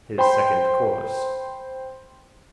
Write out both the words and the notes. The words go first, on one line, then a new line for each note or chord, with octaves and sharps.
His second course.
C5 G5 B5 C6